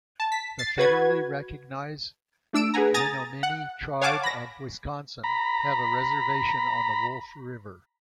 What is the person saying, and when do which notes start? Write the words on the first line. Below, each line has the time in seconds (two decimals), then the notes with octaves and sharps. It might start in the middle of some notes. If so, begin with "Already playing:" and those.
The federally recognized Menominee Tribe of Wisconsin have a reservation on the Wolf River.
0.20 A5
0.32 B6
0.59 A6 C7
0.78 F#4 B4 G#6
2.53 A3 D4 E6 D7
2.74 G#4 B4 F#5 G#5 A#5
2.94 G#5 A#5 D#6 A6
3.43 F#5
4.01 C#5 F5 F#5 G#5 A5 D6
4.23 B5 A#6
5.24 A#5 B5